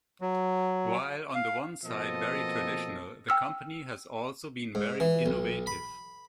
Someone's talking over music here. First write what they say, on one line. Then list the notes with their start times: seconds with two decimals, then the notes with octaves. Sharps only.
While on the one side very traditional, the company has also been very innovative.
0.21 F#3
1.35 F5
1.84 B2 F3 A#3 C4 A4 D#5
3.29 G5 E6 F6
4.75 G#2
5.00 E3
5.26 B1
5.67 B5